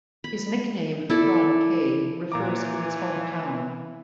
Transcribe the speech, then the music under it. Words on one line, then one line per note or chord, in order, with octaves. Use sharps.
His nickname "John Kei" refers to his hometown.
B5
E4 A4 D5
A#2 E3 A#5 D6